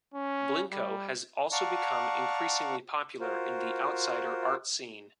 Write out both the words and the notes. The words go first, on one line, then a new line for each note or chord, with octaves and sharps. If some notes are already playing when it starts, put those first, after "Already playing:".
Blinko has also become increasingly popular in the outsider art scene.
C#4
G3
D5 F5 F#5 A5 A#5 C#6
F4 F#4 A#4 C5